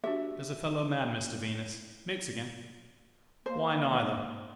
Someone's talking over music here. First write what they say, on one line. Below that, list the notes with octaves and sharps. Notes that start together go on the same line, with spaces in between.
'As a fellow-man, Mr Venus--mix again--why neither?'
D4 F#4 G4 E5
A#3 C5